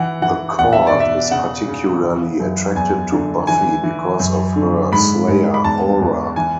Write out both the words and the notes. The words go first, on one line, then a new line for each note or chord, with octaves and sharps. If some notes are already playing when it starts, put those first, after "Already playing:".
The korred is particularly attracted to Buffy because of her Slayer aura.
Already playing: E3 F#5
E3 F#5
E2 F#5
E5
D5
B2
E5
C#3 F#5
C#3
E3
F#2
E2 G#5
D3
E3 G#5
E3
F#2
D3
G#2 B5
G#2
B5
E2 A5
E2
E3 G#5